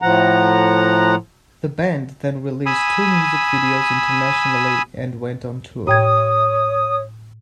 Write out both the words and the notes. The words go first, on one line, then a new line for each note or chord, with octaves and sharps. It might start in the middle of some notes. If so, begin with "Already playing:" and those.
The band then released two music videos internationally and went on tour.
A2 F3 F#5 A#5
G#5 B5 D#6 E6
A2 C#5 G5 D#6 G#6